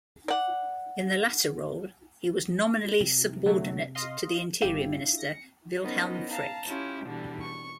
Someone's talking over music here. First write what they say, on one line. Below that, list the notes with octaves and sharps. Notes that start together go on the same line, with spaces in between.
In the latter role, he was nominally subordinate to the Interior Minister, Wilhelm Frick.
D5 F#5
C3
D3 F#3 A3
D#5 F5 C6
G1 D4 E4 G4 F5
A#6 C#7
B3 C#4 D#4 A#4 C5 D#5
F5 A5 A#5
C#4 E4 F4 G4
B2 D3 E3 G3
C#6